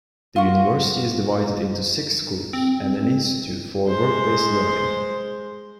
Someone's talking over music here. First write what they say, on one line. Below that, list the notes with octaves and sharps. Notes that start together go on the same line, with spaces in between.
The university is divided into six schools and an Institute for Work Based Learning.
F4 F#4
C4
G#3 C5